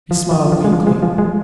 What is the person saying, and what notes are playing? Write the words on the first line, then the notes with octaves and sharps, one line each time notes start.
He smiled weakly.
F3
F3
F3
G#3
F3
G#3
F3
G#3